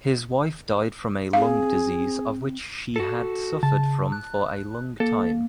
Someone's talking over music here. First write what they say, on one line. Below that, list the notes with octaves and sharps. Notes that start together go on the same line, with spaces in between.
His wife died from a lung disease of which she had suffered from for a long time.
C4 G#4 F5
F#4 A4
C#3 A5
F#6
A#3 A4